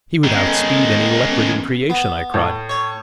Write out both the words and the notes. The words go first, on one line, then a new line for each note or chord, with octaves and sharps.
"He would outspeed any leopard in creation!" I cried.
D#3 G#3 B3 C#4 A4
B3
A2
C#5